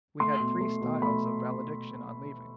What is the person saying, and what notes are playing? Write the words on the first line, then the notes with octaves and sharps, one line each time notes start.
We had three styles of valediction on leaving.
A3 C6
B2
A3
B2
A3 B5